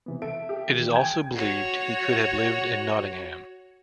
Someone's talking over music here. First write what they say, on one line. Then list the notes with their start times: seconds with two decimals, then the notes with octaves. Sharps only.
It is also believed he could have lived in Nottingham.
0.06 C3 E3 B3
0.22 A4 E5 D7
0.49 G4
0.70 D#3 E3
0.92 G5 G#5 G#6
1.36 F#4 C#5